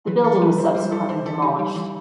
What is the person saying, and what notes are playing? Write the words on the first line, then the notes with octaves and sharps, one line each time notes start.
The building was subsequently demolished.
E3 B4
E3 A4
G3 B4
E3 C5
G3 C5
E3 A4
E3 C5
E3 A4
D#4 G4
G3
E3